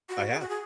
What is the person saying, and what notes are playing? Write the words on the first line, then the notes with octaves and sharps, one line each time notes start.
I have.
F#4
G#4
F#4
G#4